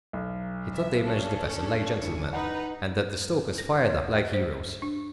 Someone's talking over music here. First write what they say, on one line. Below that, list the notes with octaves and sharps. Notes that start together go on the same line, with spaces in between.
He thought they managed the vessel like gentlemen, and that the stokers fired up like heroes.
B1
E5
C#4 D4 A4
G1 E3 C#7
D#4 B4 F#5
A#6
C#5
G2
C5
D4